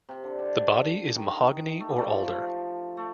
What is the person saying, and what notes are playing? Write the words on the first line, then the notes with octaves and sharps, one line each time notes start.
The body is mahogany or alder.
C3
D3
D3
D#3
A3
G3
F3 A3
A3